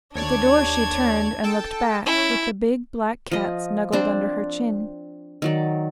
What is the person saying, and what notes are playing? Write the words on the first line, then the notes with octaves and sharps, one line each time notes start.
At the door she turned and looked back, with the big black cat snuggled under her chin.
D#2 D4 C#5 D5 G#6
A4 G5 A5
C#4 E4
F3 D#5
C4 D4 C5
D#3 F#3 D5